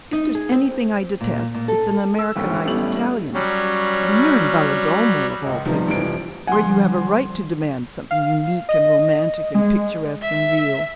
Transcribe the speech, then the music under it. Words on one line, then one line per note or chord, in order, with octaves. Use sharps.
'If there's anything I detest, it's an Americanized Italian--and here in Valedolmo of all places, where you have a right to demand something unique and romantic and picturesque and real.
D#4
G#4
C4
A#2
A#2
A4
E6
G1 D#2 G#2
A1 G3 A3 B3 E4 F#7
F#3 G3 C#4
C#2 D#5
C3 D#3 F3 G3 B3
F1 C2 E3 F3 D7
D3 F3 G3 F#5 G#5 C6
F5
D#5
G#3
E5